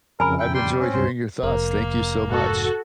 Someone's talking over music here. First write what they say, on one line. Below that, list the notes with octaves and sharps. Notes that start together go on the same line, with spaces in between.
I've enjoyed hearing your thoughts. Thank you so much.
F2 C#3 A#4 G#5 A#5 B5
E4 G5
G3 G5 C6
C4 C#4
C#2 G2 C5
F1 A#3 A#4
G#2 F#4 A4